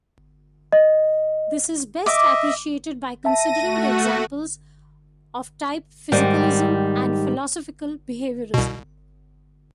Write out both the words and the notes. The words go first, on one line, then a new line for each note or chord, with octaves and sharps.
This is best appreciated by considering the examples of type physicalism and philosophical behaviorism.
D#5
D#5 E5 D6
E5 A5 A#6 D#7
A3 F#4
G#2 D#3 G3
C2 B2